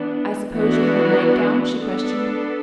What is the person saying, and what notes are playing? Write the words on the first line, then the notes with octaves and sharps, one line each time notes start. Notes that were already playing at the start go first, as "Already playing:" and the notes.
"I suppose you have a nightgown?" she questioned.
Already playing: E3 B3 D4
E3 B3 D4 F#4
B3 D4 A4